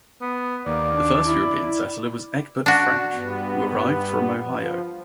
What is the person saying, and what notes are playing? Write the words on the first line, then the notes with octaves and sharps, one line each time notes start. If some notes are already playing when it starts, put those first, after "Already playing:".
The first European settler was Egbert French, who arrived from Ohio.
B3
D#2 A#3 D5
D4
E4
D4 F#4
G2 B3
F3